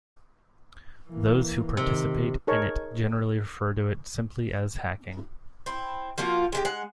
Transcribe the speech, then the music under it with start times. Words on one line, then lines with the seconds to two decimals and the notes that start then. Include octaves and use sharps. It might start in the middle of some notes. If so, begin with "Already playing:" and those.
Those who participate in it generally refer to it simply as "hacking".
1.09 E3 A#3
1.77 C3 D#3
2.47 D#4 G#4 A#4 C#5 A5 C#6
5.66 C4 E4
6.18 F3 A#3 F4 F#4
6.52 G#3 A3 G4
6.65 G#3 F#5